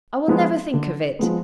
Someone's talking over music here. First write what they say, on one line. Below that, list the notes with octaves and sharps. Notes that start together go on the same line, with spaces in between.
I will never think of it.
F3 G#3 B3
D3
F3 G#3 B3